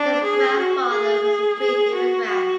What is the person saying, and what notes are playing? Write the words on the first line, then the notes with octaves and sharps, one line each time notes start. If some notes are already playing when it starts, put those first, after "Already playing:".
His grandfather was a Greek immigrant.
Already playing: D4
G#4
F#4
G#4
G#4
F#4
F#4